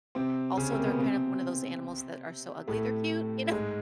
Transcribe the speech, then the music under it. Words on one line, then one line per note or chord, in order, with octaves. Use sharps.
also they're kind of one of those animals that are so ugly they're cute, you know?
C3 C4
C#3 C#4
C3 C4
A#3
B2 B3
C3 C4
A2 A3
G#2 G#3